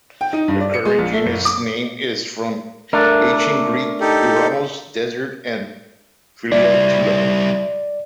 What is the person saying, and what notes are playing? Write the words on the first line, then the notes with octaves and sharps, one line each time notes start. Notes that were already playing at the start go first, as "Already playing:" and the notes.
The current genus name is from Ancient Greek "eremos", "desert", and "phileo", "to love".
G5
D#4
G2
D5
C#7
G#3
A#1
A3
F#1
D6
A3 D4 A#4
D#4 G4 A4
G3 E4 D5